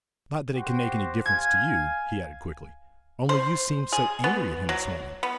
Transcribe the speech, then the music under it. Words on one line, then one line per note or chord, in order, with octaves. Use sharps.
"Not that it can make any difference to you," he added quickly, "only you seemed so angry at him this morning."
F#4 G4 C5
F5 G#5 G#6
C5
G#4
B3
F#3
B3